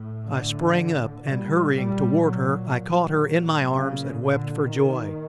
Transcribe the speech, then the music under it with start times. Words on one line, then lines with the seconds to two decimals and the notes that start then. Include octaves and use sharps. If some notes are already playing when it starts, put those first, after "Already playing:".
I sprang up, and, hurrying toward her, I caught her in my arms and wept for joy.
Already playing: A2
0.25 D3
1.24 A#2 G3
1.75 G3
2.24 F#3
2.74 F#3
3.23 A#2
3.72 C#3
4.22 D3
4.72 D#3